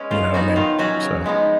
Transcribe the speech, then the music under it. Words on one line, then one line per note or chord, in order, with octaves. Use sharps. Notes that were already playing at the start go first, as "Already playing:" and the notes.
You know what I mean? So
Already playing: G#3 C#4 B4
C#3 F4
F#3 B3 D#4 F#4
D#3 F4
F#3 C#4 F#4
C#3
F3 G#3 B3 D#4